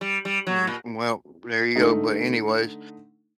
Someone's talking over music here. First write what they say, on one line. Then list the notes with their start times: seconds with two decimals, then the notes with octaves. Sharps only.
Mm, mm, well, there you go, but anyways,
0.01 G3
0.25 G3
0.47 F#3
0.67 A#2
1.76 D3 A3 D#4